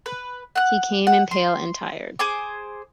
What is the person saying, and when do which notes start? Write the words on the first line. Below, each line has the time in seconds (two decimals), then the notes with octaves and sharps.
He came in pale and tired.
0.06 B4
0.56 F#5 F#6
1.07 F#5
1.31 C6
2.19 G#4 C5 G#5 D6